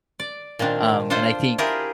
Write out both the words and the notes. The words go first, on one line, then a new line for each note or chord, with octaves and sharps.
Um, and I think
D5
A#2 D#3 C4 D4
D4 F4 A4 C5
E4 F4 G4 G#4 A#4